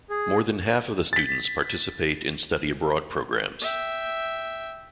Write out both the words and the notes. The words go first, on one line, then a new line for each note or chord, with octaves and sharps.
More than half of the students participate in study abroad programs.
G#4
A6 B6
E5 G5